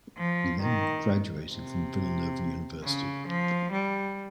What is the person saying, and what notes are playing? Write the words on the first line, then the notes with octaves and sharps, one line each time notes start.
He then graduated from Villanova University.
F3
D#3
C3
C#3
F3
G3